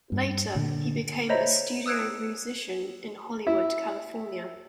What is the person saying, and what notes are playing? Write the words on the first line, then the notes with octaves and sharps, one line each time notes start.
Later he became a studio musician in Hollywood, California.
G2
A#2 D3
C5 C#5 D#5 E5 A#5 B5
D#6 E6 F#6 G#6 D7
E4